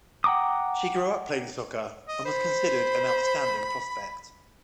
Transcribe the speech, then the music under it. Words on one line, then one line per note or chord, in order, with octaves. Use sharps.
She grew up playing soccer and was considered an outstanding prospect.
F#5 G5 A#5 D6 D#6
D#5
C5 B5